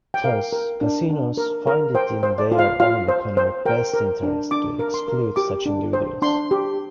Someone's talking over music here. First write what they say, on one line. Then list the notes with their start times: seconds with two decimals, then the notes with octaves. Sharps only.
Thus, casinos find it in their own economic best interest to exclude such individuals.
0.14 G5
0.24 A#4 F5
0.52 A#4
0.81 D4
1.10 D4
1.37 A#4
1.67 A#4
1.95 C5 G5
2.23 C5
2.38 D5
2.52 F4
2.59 F5
2.80 F4 F5
3.08 C5
3.37 C5
3.66 A#4 G5
3.94 A#4
4.23 D4
4.51 D4 D6
4.79 A#4
4.94 C6
5.08 A#4
5.36 G4 D6
5.66 D4
5.93 C5
6.22 D4 C6
6.51 G4